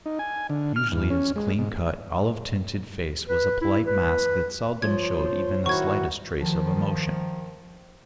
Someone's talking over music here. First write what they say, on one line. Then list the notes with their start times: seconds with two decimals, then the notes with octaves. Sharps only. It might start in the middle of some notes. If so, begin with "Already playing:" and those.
Usually his clean-cut, olive-tinted face was a polite mask that seldom showed even the slightest trace of emotion.
0.06 D#4
0.19 G#5
0.50 D3
0.76 F6
0.92 E2
1.10 C#4
1.36 G#3
1.59 G#2
3.28 B4
3.61 E4
3.87 B4
4.82 F3 C5 C#5 G#6
5.66 D#3 E4 F#4 C#6 G#6
6.41 D#3 F3